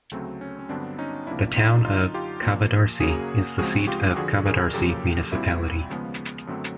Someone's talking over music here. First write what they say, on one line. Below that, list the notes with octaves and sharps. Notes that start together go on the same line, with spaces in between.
The town of Kavadarci is the seat of Kavadarci Municipality.
D2 C#3 F#3 A3 C4
C#4
C#4
G2 D3 F#3 B3 C4 D4
C#4 D#4
C#2 C3 F3 A#3 D4 E4
D#4 F4
F#2 D3 F#3 D#4 F4
F4 G4
A#2 F3 A#3
F#2 C#3 F#3 A#3 F#4 G#4
C#2 C#3 F3 G#3 C4 F#4 G#4
F4 G4
F2 D3 F3 F#4 G#4
G#4 A#4
F#2 C#3 F3 A#3 G4 A4
C2 A#2 G3 C4 E4 F#4
D#2 C#3 F3 G#3 B3
F#2 D3 F#3 A3 C4